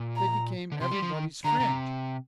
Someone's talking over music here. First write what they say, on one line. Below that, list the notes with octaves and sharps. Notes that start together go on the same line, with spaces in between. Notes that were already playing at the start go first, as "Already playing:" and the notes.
They became everybody's friend.
Already playing: A#2
A#5
D3
C3 C6
G3
F3
D#3
D3 A#5
C3